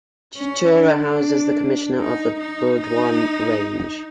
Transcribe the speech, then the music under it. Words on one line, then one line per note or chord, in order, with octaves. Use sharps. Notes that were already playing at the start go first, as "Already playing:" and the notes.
Chuchura houses the Commissioner of the Burdwan Range.
C#4
D4
D#4
D#4
D#4